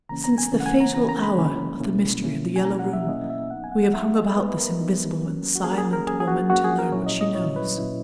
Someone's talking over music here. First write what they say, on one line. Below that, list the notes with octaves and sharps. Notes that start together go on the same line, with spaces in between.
Since the fatal hour of the mystery of The Yellow Room, we have hung about this invisible and silent woman to learn what she knows.
C#3 E3 A#3 C#4 A#5
A#5
G#5
C#3 E3 A#3 C#4
F#5
G#5
A#5
C#3 E3 A#3 C#4 A#5
A#5
B5
C#3 E3 A#3 C#4
B2 A#3 C#4 E4
B2 A#3 C#4 E4
G#5
B2 A#3 C#4 E4 A#5
F#5
E5
B2 A#3 C#4 E4 D#5
E5
F#3 B3 D#4 F#5
G#5
F#5
F#5
F#3 B3 D#4 E5
D#5
F#3 B3 D#4 B4
B4
A#4
F#3 B3 D#4
F#3 A#3 C#4
F#4
F#3 A#3 C#4 G#4
A#4
G#4
A#4
F#3 A#3 C#4 G#4
G#4
F#4
F#3 A#3 C#4 F#4
G#4
A#4
A#2 F#3 C#4 E4 C#5
D#5
D#5
A#2 F#3 C#4 E4 C#5
B4
A#2 F#3 C#4 E4